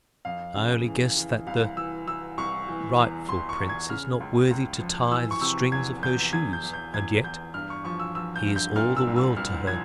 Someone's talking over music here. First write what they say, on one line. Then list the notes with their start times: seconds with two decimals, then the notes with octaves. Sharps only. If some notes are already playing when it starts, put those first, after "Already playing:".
I only guess that the--rightful prince is not worthy to tie the strings of her shoes, and yet--he is all the world to her.
0.25 F2 F5
0.56 C#3
0.86 E3
1.16 E3
1.47 C2 F5
1.77 E3 E6
2.07 E3 E6
2.38 C2 C#6
2.68 E3
2.99 E2
3.29 E2 C6
3.49 C#6
3.60 E2
3.69 G#6
3.90 C#3 F6
4.20 C#2
4.51 C#2
4.80 F3
5.11 E3 E6
5.31 C#6
5.41 C3 E6
5.72 E2 G#6
6.03 E2 G6
6.33 E2 G#6
6.53 G6
6.63 E2
6.73 G6
6.94 E2 G#6
7.24 E2 G6
7.54 G2 F6
7.70 C#6
7.85 F3 C#6
8.00 E6
8.15 F3 E6
8.36 G6
8.46 G2
8.56 G6
8.76 A#2 F6
8.96 E6
9.07 C2
9.16 E6
9.37 C2 F6
9.67 F3 G#6